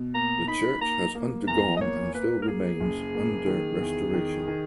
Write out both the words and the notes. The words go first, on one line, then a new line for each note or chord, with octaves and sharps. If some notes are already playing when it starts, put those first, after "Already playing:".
The church has undergone and still remains under restoration.
Already playing: B2
A#3 A#5
D#4 B5
A#3 A#5
A#3
E2 A#5
D#5
A#3 C#5
A#3 B4
A#4
A#3 G#4
F#1
A#3
D#3
E2
D#3
D#3